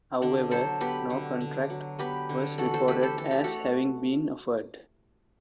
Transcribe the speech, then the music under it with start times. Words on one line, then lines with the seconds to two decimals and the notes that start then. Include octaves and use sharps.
However, no contract was reported as having been offered.
0.22 D3 D4
0.51 F#3 A4 C5
0.81 B3 G4 B4
1.10 D3
1.41 D3
1.70 F#3
1.99 B3 G4 B4
2.29 D3
2.58 E3 F#4 A4
2.74 A4 C5
2.88 A3 G4 B4
3.03 A4 C5
3.18 E3 A4
3.31 G4
3.44 A3 F#4 A4